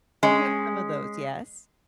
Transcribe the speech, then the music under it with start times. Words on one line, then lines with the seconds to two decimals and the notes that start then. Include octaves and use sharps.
we have some of those. Yes.
0.23 G#3 C#4